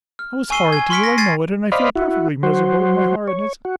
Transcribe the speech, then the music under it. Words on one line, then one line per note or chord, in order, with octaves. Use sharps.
I was horrid to you; I know it, and I feel perfectly miserable at my horridness.
F6
G#5 C#6 E6 C7 D#7 G7
G#5 G#6
C6 C#6 F6 B6 C#7 D7
A#6 B6
G#6 A6 C7 D#7
C5 D5 D#5 F5 B5
E4 F#4
F#3 F#4 C5
C#5
F#4